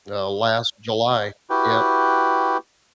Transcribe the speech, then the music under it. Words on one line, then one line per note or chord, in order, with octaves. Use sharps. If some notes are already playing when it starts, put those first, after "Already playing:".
uh, last July Yep.
E4 F#4 G4 B4 G5